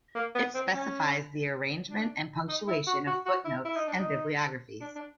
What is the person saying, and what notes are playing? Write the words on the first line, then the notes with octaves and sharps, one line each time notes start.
It specifies the arrangement and punctuation of footnotes and bibliographies.
A#3
B3
C4
C#4
D4
D#4
E4
F#4
F#4
F#4
E4
E4
D#4
D4
D#4
D4
D4